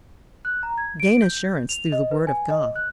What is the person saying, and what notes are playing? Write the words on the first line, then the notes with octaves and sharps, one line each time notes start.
Gain assurance through the Word of God.
F#6
A#5
G#6
D7
G6
F7
D#5
B4
G#5
D#5
F#6